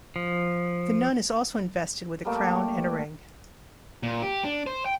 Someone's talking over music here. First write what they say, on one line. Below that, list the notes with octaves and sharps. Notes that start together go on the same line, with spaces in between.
The nun is also invested with a crown and a ring.
F3
G3 A3 A#3
A#2
G4
D4
C5
G5